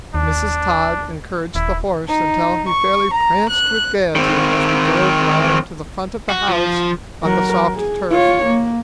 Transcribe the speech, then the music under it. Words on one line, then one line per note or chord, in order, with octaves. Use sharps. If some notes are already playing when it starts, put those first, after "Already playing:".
Mrs. Todd encouraged the horse until he fairly pranced with gayety as we drove round to the front of the house on the soft turf.
D#2 D4
D#1 E4
D#4
C#6
A#5
F#6
D#3 C4
F#4
F3
F#3 A#4
G#4
F4 C#5
A#3